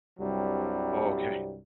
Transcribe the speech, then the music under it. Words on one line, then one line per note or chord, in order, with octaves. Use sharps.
Oh, okay.
C2 G2 C3 F#3 G3